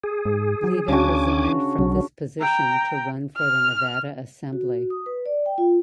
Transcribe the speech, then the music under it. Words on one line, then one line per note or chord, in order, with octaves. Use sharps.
Leavitt resigned from this position to run for the Nevada Assembly.
G#4
G#2
F#3
D2 C#3 D4 F#4 G#5 D6
B1 F#3
G5 A#5
F6
F#4
D#6
B4
D5
G5
F4